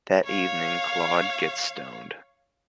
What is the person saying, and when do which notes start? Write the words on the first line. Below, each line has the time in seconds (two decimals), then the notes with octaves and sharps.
That evening, Claude gets stoned.
0.25 C#5 F5